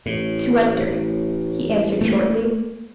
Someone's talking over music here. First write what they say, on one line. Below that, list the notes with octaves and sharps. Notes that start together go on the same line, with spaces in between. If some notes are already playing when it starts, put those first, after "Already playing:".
'To enter,' he answered shortly.
A1 A2
A3 A#3